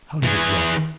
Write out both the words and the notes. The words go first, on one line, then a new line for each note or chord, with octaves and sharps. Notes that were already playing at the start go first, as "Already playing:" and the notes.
How did it run?
E3 G#4